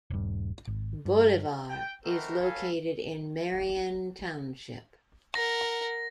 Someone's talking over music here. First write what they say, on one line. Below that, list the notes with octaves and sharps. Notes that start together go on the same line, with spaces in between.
Bolivar is located in Marion Township.
D#1 G2
G#1
G2
G5
A3 B3 C4 D#4 F#4 A#4
F#4 A4 C#5 F5 G#5 B5
A#4 F#5 A#6